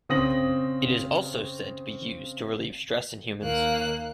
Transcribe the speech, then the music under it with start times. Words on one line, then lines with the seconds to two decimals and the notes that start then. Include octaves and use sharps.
It is also said to be used to relieve stress in humans.
0.09 C#3 C4 D#6 A#6 F#7
3.41 D#2 A#3 F#6